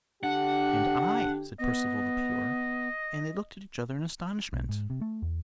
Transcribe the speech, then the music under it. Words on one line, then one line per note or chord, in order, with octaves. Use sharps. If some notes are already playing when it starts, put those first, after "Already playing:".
"And I," said Percival the Pure; and they looked at each other in astonishment.
D3 D4 G4 F#5
B3 D#5
B1
G#2
C3
A3
E2